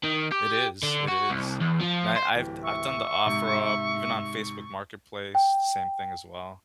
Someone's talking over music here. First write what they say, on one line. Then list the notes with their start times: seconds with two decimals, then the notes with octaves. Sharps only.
It is. It is. And I I've d I've done the OfferUp, even on Facebook marketplace, same thing as well.
0.03 D#3
0.32 G4
0.83 D3
1.08 F#4
1.30 C2
1.61 E2
1.81 F3
2.16 C5
2.35 D1 E3 G4
2.63 E5 C#6
3.26 G#2 C3
5.35 G5